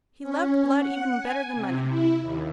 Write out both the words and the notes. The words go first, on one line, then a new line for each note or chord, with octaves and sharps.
He loved blood even better than money.
C#4
F#5
G#5
C3
E4
D#2